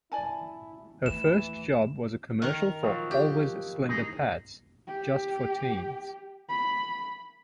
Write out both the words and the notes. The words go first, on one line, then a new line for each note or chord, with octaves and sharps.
Her first job was a commercial for Always Slender Pads - Just For Teens.
E4 D5 G#5 A5
D#2 E3 A3 E7
D#3 A#4
A#2 F3 F#3
G4
D#4 G#4
G4
B5